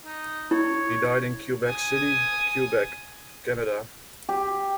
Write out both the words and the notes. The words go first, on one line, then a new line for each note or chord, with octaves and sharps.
He died in Quebec City, Quebec, Canada.
D#4
E4 C#5
G#5 D#6
G4